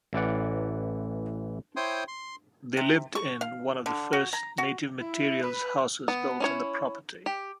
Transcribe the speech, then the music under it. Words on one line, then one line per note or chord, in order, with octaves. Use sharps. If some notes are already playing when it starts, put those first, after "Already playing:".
They lived in one of the first native-materials houses built on the property.
A1 E3 D5 F#5
E4 C5 C#5 G5 C6 D#6
C6
C3
C#6
F5
D3
F#4
A#5
F#4
E4
B4
B3
C#4 E4 C#5
G4